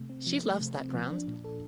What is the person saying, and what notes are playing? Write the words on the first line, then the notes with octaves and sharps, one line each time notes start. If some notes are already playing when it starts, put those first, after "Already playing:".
She loves that ground.
Already playing: C3 A3
C4
F3
A3
C3
C4
F3
D4
A#2
A4